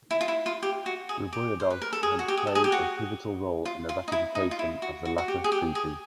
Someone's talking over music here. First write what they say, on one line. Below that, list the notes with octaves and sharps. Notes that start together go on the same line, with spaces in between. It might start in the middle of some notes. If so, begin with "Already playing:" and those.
Griboyedov had played a pivotal role in the ratification of the latter treaty.
E4
F4
E4
F4
G4
F#4
G#4
G4
C5
B4
A#4
A4
G#4
F#4
G4
G#4
A4
G#4
G4
F#4
F4
F4
D#4
E4
D#4
F4
E4
F#4
F#4
F#4
G4
G#4
G4
G#4